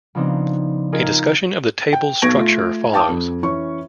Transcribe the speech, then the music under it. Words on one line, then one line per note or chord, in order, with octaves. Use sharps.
A discussion of the table's structure follows.
C#3 F3 B3 C4 D4 D#4
D#4 F4 G#4 A#4 D#5
G5
B1 B2 C#6 G#6 A#6 D7
A3 F4
F5 G5 A5 D6 D#6
F2
E3 C#4 C#6